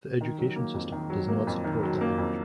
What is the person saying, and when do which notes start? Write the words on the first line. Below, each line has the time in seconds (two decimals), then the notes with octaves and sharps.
The education system does not support the language.
0.21 D#3
0.38 F#3
0.56 A#3
0.74 F2
0.92 D#3
1.10 F#3
1.28 A#3
1.47 F2
1.64 D#3
1.83 F#3
2.01 A#3
2.18 F2